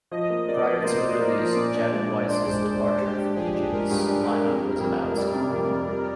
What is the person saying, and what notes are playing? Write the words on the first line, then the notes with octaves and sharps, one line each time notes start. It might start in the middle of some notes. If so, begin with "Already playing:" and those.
Prior to the release, Janet Weiss' departure from the Jicks lineup was announced.
F3 D#5
A#3
A#3 D5
F3
A#3 C5
A#3
A#3 A#4
F3
A#2 D5
D4
G#3 D5
G#3
D4 C5
G#3
G#3
D4
G#3 G4
D4
F3 G#4
D4
G#3 A#4
G2
D4
G#3
F2 A#4
G3
F2
F1
G3 D5
C3
F2
F2
G3